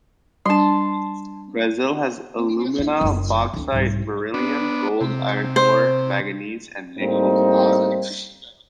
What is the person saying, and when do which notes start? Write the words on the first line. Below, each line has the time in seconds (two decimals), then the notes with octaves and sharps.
Brazil has alumina, bauxite, beryllium, gold, iron ore, manganese, and nickel deposits.
0.46 G3 D4 A5 C6
2.79 A#3
3.01 F#1 E4
3.53 D2 D4
3.72 C2 G#2
4.34 B3 D4
5.01 C3
5.56 C5
6.99 A2 G3 A#3 C4 D#4